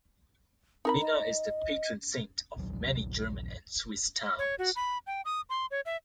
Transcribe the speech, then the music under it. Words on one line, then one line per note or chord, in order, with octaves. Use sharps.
Mina is the patron saint of many German and Swiss towns.
C4 D#4 A#4 B5
D#5
A#1 D#2 F#3
C#5
F#4
B5
G5
D#6
C6
C#5
E5